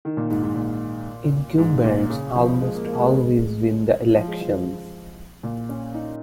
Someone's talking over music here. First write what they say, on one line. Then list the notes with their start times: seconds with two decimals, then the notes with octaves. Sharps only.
Incumbents almost always win the elections.
0.05 D#3
0.17 A#2
0.30 G#2
0.43 G#2
0.56 A#2
1.58 G#2
1.84 A#2
2.10 C#3
2.36 F3
2.61 G#3
2.75 A#3
2.86 A#3
2.99 G#3
4.15 F3
4.28 G#3
4.41 F3
5.43 A#2
5.69 C#4
5.94 D#4